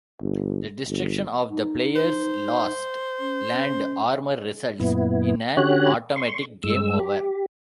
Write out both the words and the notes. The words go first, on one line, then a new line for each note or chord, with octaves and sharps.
The destruction of the player's last Land-Armor results in an automatic game over.
G1
G1
D#4
C5
C#4
C#4
F#2 A#2 B3 E4
D3 C#4 F#4 G4 C#5 F#6
C6 C#6
G2 G#3 E6
G4